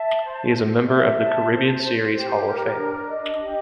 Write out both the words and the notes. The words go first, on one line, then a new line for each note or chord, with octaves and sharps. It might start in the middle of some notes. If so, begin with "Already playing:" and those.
He is a member of the Caribbean Series Hall of Fame.
Already playing: E5 A5
C5
C5
E5
A5
C5
C5
G4
A#4
D4
D#5
G4